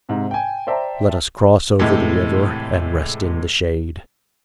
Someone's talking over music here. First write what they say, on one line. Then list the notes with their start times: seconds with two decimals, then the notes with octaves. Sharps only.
"Let us cross over the river and rest in the shade."
0.09 G#2 C3
0.31 G5 G#5
0.67 C5 D5 E5 G5 A5 A#5
1.79 A2 C3 E3 G#3